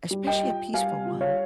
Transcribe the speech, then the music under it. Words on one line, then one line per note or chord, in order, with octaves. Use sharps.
especially a peaceful one
G3
D#5 G5
F4
G3 F5 G#5
F4
C#5 F5